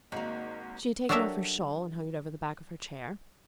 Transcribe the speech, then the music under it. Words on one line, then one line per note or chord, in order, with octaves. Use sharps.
She had taken off her shawl, and hung it over the back of her chair.
G#1 A#3 D#4 F#4 D#5 F5 A#5
F#3 G3 D4 A4 A#4 E5